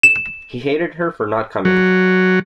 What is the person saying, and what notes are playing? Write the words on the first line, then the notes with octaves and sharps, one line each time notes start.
He hated her for not coming.
E7
F#3